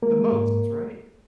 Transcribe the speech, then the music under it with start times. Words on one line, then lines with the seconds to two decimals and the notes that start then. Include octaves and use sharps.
The most, right?
0.02 G#3 A#3 A#4
0.18 G#3
0.32 G#2
0.47 G#2